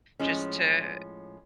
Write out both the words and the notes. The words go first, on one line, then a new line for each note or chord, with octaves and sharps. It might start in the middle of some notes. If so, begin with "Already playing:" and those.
just to
A2 F3 G#3 C#4